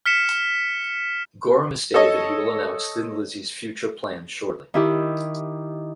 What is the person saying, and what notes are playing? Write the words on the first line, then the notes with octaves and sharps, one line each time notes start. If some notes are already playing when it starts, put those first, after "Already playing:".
Gorham has stated that he will announce Thin Lizzy's future plans shortly.
F6 B6 C#7 E7
A4 C#5 D#5
D#3 E4 G4